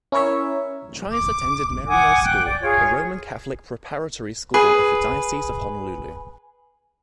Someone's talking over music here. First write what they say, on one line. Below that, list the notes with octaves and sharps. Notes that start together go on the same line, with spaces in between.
Trias attended Maryknoll School, a Roman Catholic preparatory school of the Diocese of Honolulu.
C#4 E4 A#4 C#5 E5
D6
F#5 G#5 D6 D#6
G5 F#6
D5
F4 G#4 C#5
G#4 B4